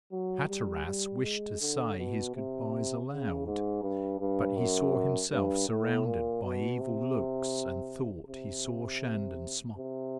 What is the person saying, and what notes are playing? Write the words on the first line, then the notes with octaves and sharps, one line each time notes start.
Hatteras wished to say his good-byes aloud, but he saw himself surrounded by evil looks and thought he saw Shandon smile ironically.
F#3
G3
G3
G#3
D3
B2
C3
C#3
G#2
G2
G2
F#2
G2
A2
A#2
B2
C3
C3
C3